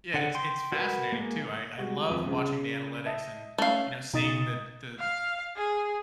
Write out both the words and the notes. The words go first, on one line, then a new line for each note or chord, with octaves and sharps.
Yeah, it's it's fascinating too, I I love watching the analytics, and, you know, seeing the the
D3 F#5
G5 C6
F#4 A#4 B4
G#3 A#3
G3 G#3 F#4
D#1 F2
C#3
D#5 E5 A5
A3 C#4 F5
B2 D#4 D#5 D#6 A6
F5
G#4